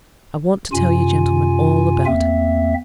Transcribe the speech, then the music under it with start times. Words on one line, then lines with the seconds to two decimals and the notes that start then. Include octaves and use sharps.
"I want to tell you gentlemen all about it."
0.72 F#2 C3 F4 G#5
2.06 E2 A#3 C4 E5